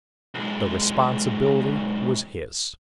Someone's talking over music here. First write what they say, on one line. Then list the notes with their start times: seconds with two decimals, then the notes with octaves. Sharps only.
The responsibility was his.
0.35 B1 G#3